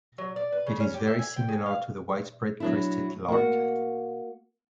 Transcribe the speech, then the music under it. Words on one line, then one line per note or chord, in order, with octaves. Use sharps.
It is very similar to the widespread crested lark.
F#3
D5
B4
C#3
C#4
G4
E5
G#5
G5
G#4
F5
F#3 D4 E4
A#3 F#4